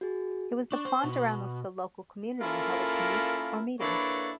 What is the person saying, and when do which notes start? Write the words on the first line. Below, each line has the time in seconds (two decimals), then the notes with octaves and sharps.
It was the font around which the local community held its moots or meetings.
0.01 F#4 G#4
0.72 D4 C#6
0.85 C5
1.04 B2
2.40 A#3 C#4 E4 F4 A4 A#4
3.80 A#3 D4 E4 A4 B4 C#5